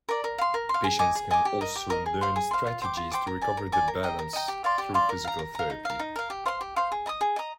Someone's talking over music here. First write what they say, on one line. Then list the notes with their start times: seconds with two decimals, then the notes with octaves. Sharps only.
Patients can also learn strategies to recover their balance through physical therapy.
0.09 A#4 D5
0.24 A#4
0.38 F5 C6
0.54 A#4
0.69 F5 C6
0.84 G#4
0.99 D#5 G#5 D6
1.15 G#4
1.31 D#5 G#5 D6
1.45 G4
1.61 A#4 D#5
1.75 G4
1.90 A#4 D#5
2.06 G#4
2.21 C5 F5 C6
2.36 G#4
2.51 C5 F5 C6
2.67 F4
2.82 C5 G5 D6
2.97 F4
3.12 C5 G5 D6
3.27 A#4
3.41 D5 G#5
3.57 A#4
3.72 D5 G#5
3.88 A#4
4.03 D#5 G5 A#5
4.19 A#4
4.33 D#5 G5 A#5
4.48 G4
4.64 D5 F5 C6
4.78 G4
4.94 D5 F5 C6
5.09 A#4
5.24 F5 A#5
5.39 A#4
5.55 F5 A#5
5.70 D#4
5.85 A#4 F5
5.99 D#4
6.16 A#4 F5
6.30 G4
6.46 C5 F5 C6
6.61 G4
6.76 C5 F5 C6
6.92 G#4
7.06 D#5 A#5 D#6
7.21 G#4
7.36 D#5 A#5 D#6